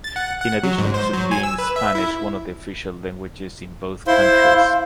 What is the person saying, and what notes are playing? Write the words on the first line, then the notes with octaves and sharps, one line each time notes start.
In addition to being Spanish one of the official languages in both countries.
A6
F#5
F#5
F#3
G#2
C5
F#3
G#5
E6
B4
E5
E4
E4 C5 F5 C6